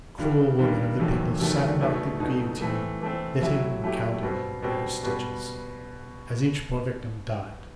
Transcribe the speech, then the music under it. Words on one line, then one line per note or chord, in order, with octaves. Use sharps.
Cruel women of the people sat about the guillotine knitting and counting with their stitches, as each poor victim died.
G2 D#3 G3
G2 D#3 G3
E2 C3 D#3 F#3 A3
E2 C3 D#3 F#3 A3
C2 B2 A3 D#4
C2 B2 A3 D#4
E3 A3 C4
E3 A3 C4
F#3 A3 E4 G4
F#3 A3 E4 G4
B2 G3 C4
B2 G3 C4
B2 G3 B3